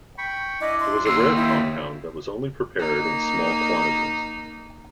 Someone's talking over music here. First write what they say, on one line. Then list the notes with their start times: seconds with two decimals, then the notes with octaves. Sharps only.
It was a rare compound that was only prepared in small quantities.
0.18 G5 B5 C#6
0.61 D4 E4 D5 D#5
0.80 C6
1.07 D#2 A#3 E4 A#4 C6 E6
1.36 D#4 E4 G5
2.79 A#3 D#4